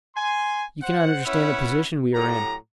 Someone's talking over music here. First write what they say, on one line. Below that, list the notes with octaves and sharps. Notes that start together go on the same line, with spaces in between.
You cannot understand the position we are in.
G#5 C6
C5 F#5
C#4 E4 B4 C#5 E5 F#5
A2 F#3 G4 A#5